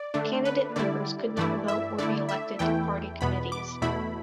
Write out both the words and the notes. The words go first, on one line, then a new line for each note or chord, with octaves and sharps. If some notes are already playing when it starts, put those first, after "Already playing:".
Candidate members could not vote or be elected to party committees.
Already playing: D5
D3 A3 D4
B4
D3 G3 E4 D5
G2 E3 A3 E4 D5
E5
D3 A3 E4 D5
E5
E2 E3 A3 E4 G5
E2 B2 B3 B5
D6
E2 B2 A3 E4 B5